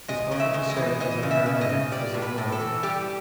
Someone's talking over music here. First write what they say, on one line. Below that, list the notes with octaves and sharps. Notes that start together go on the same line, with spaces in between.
His offer to serve as a paramedic was ignored.
G#3 D#5
C#3
E5
G#3
D#5
E3
E3 D#5
C#3
E5
C#3
D#5
C#3
G3 D5
A2
B4
A2
A4
E3
G3 G4